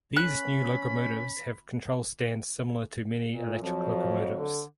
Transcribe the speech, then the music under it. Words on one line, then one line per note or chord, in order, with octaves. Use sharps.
These new locomotives have control stand similar to many electric locomotives.
C#4 B5 F#6
A#2
F2 F3 F#3
D3